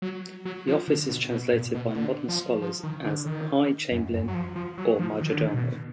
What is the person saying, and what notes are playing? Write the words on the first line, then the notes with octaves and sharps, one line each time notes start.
The office is translated by modern scholars as "high chamberlain" or "majordomo".
F#3
F#3
F3
D3
B2
B2
A#2
B2
B2
D3
F3
F3
D#3
D3
D#3
F#2
F#2
F#3
F3
F3
F#3
F3
D#3
D3
D#3
B2